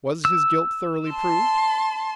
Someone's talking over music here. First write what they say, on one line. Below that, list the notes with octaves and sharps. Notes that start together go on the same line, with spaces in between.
Was his guilt thoroughly proved?
E6
A5 C6